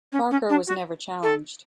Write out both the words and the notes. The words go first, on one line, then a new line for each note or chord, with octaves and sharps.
Parker was never challenged.
C#4
C#4
D4
F#4
A4